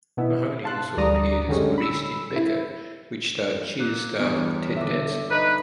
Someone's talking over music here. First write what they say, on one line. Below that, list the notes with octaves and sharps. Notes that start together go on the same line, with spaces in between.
Mahoney also appeared as a priest in "Becker" which starred "Cheers" star Ted Danson.
B2 B3 E4
F5 A5 C6 F#6
D2 G3 D5 A#5 D#6 A#6
F#2 D3 G3 G#3 C#4
B5 E6
E4
A#2 C5 F#6
E2 G2 C#5
D3 E5
D#4 B4